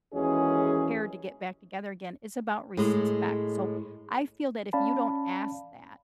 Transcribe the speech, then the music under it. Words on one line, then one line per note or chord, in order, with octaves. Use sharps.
cared to get back together again, it's about respect. So, I feel that if you don't ask that
D#2 E3 G#3 C#4 F#4 G#4
A2 G#3
C#4 D5 F5 A5 B5